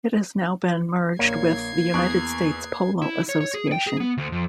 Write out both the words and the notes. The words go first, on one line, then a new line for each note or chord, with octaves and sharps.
It has now been merged with the United States Polo Association.
A#1 A#3 C#5 G#6 C7
E2 C#6 D#6 F#6 D7
E4
C#5
C#5
G#4
G5
G#4
B3
D2
F2